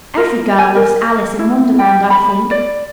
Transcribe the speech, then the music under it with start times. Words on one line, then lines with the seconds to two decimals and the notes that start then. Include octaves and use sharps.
Every girl loves 'Alice in Wonderland,' I think.
0.17 A#4
0.58 G#5
0.76 A#4
1.39 E4
1.79 G5
2.10 B5
2.51 D5